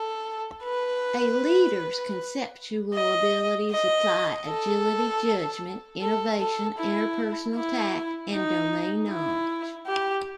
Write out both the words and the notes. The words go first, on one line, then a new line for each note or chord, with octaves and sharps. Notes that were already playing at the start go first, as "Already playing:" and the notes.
A leader's conceptual abilities apply agility, judgment, innovation, interpersonal tact, and domain knowledge.
Already playing: A4
B4
D#5
D#5
A4
A4
A4
E4
E4
D#4
E4
G4